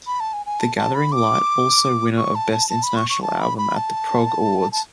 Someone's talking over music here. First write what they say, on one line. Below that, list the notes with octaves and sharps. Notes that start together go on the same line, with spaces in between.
The Gathering Light also Winner of Best International Album at the Prog Awards.
B5
A5
G#5
G#5
A5
A5
B5
D6
C#6
A5
A5
A5
B5
C#6
C#6
A5
B5
B5
A5
A5